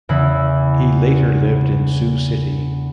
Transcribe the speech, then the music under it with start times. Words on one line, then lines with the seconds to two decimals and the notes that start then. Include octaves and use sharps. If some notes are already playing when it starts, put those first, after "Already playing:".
He later lived in Sioux City.
0.09 E2 C#3 E4